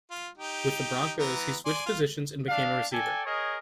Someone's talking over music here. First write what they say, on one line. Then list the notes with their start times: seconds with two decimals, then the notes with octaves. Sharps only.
With the Broncos, he switched positions and became a receiver.
0.11 F4
0.38 D#4 G4
1.19 E3 B3 A#5
1.65 D5 G#5 C6
1.86 F4
2.48 D4 F5
2.92 A4 D5 G5 G#5
3.25 G#4 A#4 C#5 D#5